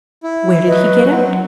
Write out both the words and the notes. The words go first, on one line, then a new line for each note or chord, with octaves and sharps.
Where did he get out?
E4
F#3 B4 D#5
C4 F#5